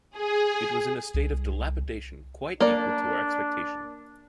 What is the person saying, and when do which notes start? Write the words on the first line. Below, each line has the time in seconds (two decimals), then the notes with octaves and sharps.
It was in a state of dilapidation quite equal to our expectation.
0.17 G#4
1.14 C2
2.60 A#3 D4 D5